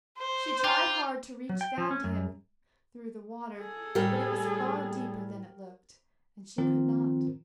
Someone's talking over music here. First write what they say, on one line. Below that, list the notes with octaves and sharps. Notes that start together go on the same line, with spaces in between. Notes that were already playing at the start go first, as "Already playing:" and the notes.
She tried hard to reach down to him through the water, but it was far deeper than it looked, and she could not.
C5
F4 G5 A#5 D6 G6
F#3
G5
F3
C#4
F#2
G#4 A4
A2 G3 G4 A#4
D#3 F3 C4 F4 A#4